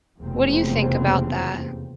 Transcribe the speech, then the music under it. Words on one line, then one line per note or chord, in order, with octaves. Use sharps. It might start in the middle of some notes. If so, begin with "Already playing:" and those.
What do you think about that?
F1 E2 C#3 A#3 C4